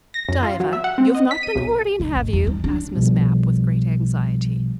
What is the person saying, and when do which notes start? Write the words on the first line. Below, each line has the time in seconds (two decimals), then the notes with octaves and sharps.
"Diva, you've not been hoarding, have you?" asked Miss Mapp with great anxiety.
0.14 A#6
0.29 F#2
0.43 F4
0.60 F#3
0.73 E5
0.84 F#5
0.98 C4
1.15 D#5
1.31 B6
1.43 D#7
1.55 B1
2.00 C#2
2.15 G#1
2.33 E2
2.47 G3
2.64 D4
2.95 B1 B2 F3 G3